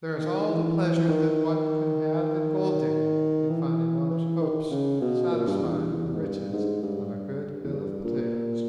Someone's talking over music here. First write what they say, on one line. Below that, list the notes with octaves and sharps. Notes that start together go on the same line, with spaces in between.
There is all the pleasure that one can have in gold-digging in finding one's hopes satisfied in the riches of a good hill of potatoes.
D#3
D#3
E3
E3
D#3
E3
E3
D#3
C#3
B2
A#2
G2
E2
E2
E2
G#2
G2
G#2
G2
E2
G2
A#2